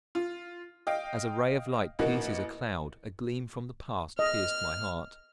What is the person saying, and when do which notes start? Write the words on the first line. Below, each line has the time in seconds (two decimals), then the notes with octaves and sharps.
As a ray of light pierces a cloud, a gleam from the past pierced my heart.
0.15 F4
0.87 D#5 F5 G5
1.99 A1 A#3 D#4 F#4
4.19 D#5 F6